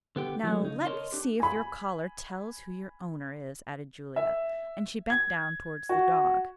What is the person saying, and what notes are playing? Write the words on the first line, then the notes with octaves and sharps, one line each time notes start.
"Now let me see if your collar tells who your owner is," added Julia, and she bent down towards the dog.
D3 B3 G4
E3 F#3 G3 A3 C#4
C#3 D#4
A#4 C#5 D#5 A5 C6
D4 G4
G#5 B5
E5
G#6
F#4